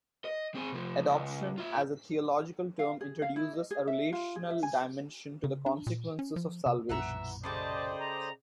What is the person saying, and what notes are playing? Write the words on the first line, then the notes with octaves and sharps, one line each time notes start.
Adoption as a theological term introduces a relational dimension to the consequences of Salvation.
D#5
C4 G#4
C3 F3
C#2
F4 E5
F5
G#4
F5
E4
D#5
G#4
E5
F4
G#4
E5
G#5
C#3
D4
A#2
C#4
F3
C3
B1 F#2 A#2 E3 E5 F#5 A#5
C#3 A3 G4 C5 D5 D#5 A5
A#5